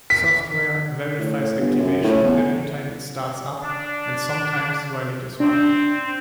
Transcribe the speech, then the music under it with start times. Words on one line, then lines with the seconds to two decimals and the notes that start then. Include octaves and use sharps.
Software verifies activation every time it starts up, and sometimes while it is running.
0.10 B6
1.19 A2
1.59 G1
1.79 F#2
2.04 A2
2.24 E2
3.63 D4
5.40 C4 D4